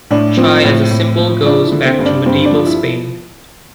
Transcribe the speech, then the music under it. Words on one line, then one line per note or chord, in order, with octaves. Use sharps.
Chai as a symbol goes back to medieval Spain.
A2 D4
F3 C4
A2
A2
F3
F3 D4
E4
D3
C4
G2
D4
G2 C4
D4
F3
E4